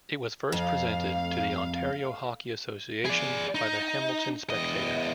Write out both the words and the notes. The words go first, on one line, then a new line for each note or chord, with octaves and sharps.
It was first presented to the Ontario Hockey Association by "The Hamilton Spectator".
F2 A3 F5
G#4 D5
D#4
E2 D#5